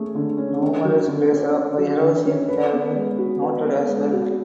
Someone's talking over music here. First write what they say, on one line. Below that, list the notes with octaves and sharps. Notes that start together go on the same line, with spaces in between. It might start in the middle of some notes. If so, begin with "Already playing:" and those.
Numerous places of erosion have been noted as well.
Already playing: A3 C#4 G#4
D3
C#4
D3
F#3
D3
C#4
D3
F#3
D3
C#4
B4
B3
G#3
F#4
B4
B3
G#3
F#4